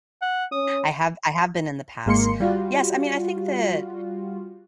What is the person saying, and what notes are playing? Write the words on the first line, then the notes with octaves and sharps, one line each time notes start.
I have I have been in the past. Yes, I mean, think that
F#5
C#4 D#6
G#1 G#3 A#3 C6 C#7
G3 F4 F#4